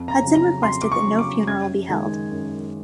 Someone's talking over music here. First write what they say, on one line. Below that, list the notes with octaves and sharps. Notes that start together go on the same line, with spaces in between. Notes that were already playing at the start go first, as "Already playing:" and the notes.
Hudson requested that no funeral be held.
Already playing: F2
A#5
C#3 F#3
A#5
F2 C6
D6
C#6
C#3 F#3
D6
F#2 G#6
D#3 G#3
F#2